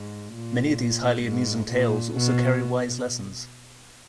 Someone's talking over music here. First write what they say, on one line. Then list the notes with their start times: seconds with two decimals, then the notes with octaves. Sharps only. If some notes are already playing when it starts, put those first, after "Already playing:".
Many of these highly amusing tales also carry wise lessons.
Already playing: G#2
0.35 A#2
1.25 G#2
1.70 A#2
2.15 B2